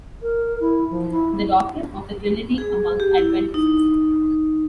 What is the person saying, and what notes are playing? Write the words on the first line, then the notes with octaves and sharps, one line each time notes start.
"The Doctrine of the Trinity Among Adventists".
A#4
E4
F3
E4
G#4
G4
E4
D#4